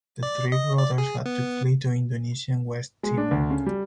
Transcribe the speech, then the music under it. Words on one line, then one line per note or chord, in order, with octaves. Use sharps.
The three brothers had to flee to Indonesian West Timor.
D5
D#5
D5
G#4
B3
G#3
D4
D2
C#3
G3